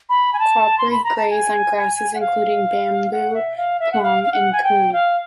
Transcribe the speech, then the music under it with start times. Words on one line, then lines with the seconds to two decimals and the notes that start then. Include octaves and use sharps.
Kouprey graze on grasses, including bamboo, ploong, and koom.
0.09 B5
0.33 G#5
0.39 A5
0.78 C6
0.91 B5
1.04 A#5
1.17 A5
1.30 G#5
2.15 F#5
2.20 F5
3.12 F#5
3.34 E5
3.57 F5
3.80 E5
3.92 F#5
4.03 F5
4.24 F5
4.32 F#5
4.53 G#5
4.63 G5
4.93 F5